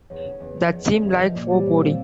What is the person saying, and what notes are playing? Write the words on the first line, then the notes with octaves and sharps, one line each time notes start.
That seemed like foreboding.
E2 C#5
C#3
E2
F3
D#5
E2 D5
C#3
D#5
E2 E5
D#5
F3
A#2 D5
C#5
G3 C5
A#2 C5
C4 F5